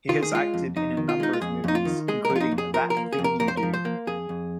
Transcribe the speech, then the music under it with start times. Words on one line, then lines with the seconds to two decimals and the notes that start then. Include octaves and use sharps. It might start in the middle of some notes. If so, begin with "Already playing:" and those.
He has acted in a number of movies, including That Thing You Do!
0.09 D#3 F4
0.23 G#4
0.31 G#3 F4
0.54 F2
0.76 F2 D#4
0.97 D#3
1.09 F4
1.20 G#3 D#4
1.33 F4
1.41 F2 G#4
1.64 F2 D#4
1.75 F4
1.85 D#3
2.08 G#3 G#4
2.25 A#4
2.30 F2
2.36 F4
2.40 D#4
2.52 F2
2.58 G#4
2.74 F3 A#4
2.90 A#4
2.97 A#3
3.13 G#4
3.19 F2
3.24 A#4
3.40 F2 A#4
3.48 C5
3.57 A#4
3.63 F3
3.74 C5
3.85 A#3
4.07 F2 G#4
4.29 F2